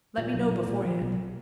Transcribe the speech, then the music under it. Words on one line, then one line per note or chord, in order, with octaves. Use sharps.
Let me know beforehand....
A#2
B1
A#2
A#2
F3
B1